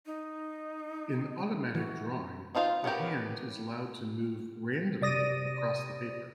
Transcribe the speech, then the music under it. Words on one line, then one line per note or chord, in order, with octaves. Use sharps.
In automatic drawing, the hand is allowed to move 'randomly' across the paper.
D#4
E3 F#4
C4 D#4 F4 C5 F5
B3 C#4 F#4 G4 A#4
C3 D5 D#6 A#6 D#7